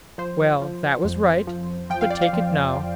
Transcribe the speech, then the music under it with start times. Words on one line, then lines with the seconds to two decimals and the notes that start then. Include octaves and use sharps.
Well, that was right, but take it now.
0.18 F3 C5
0.62 F3
1.04 F2
1.47 F3
1.90 F3 G5
2.01 F5
2.10 D5
2.21 F5
2.33 F3
2.76 F3